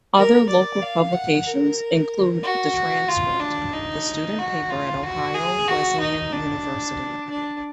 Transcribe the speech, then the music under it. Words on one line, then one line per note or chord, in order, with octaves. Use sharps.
Other local publications include "the Transcript", the student paper at Ohio Wesleyan University.
A#4
D5
F5
F#5
A#4
F#4
F4
D4
D#4
F#4
F4
F#4
G#4
F#4
D#4
D4
D4